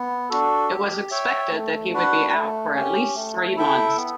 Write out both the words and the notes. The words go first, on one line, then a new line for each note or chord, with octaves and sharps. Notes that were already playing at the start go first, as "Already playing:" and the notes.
It was expected that he would be out for at least three months.
Already playing: B3
D4 F#4 A4
G4
C#5 E5 G5
A3
D4 F#4 B4 F#5
A3
C#4 G4
A3
E4 A4 E5 G5
B3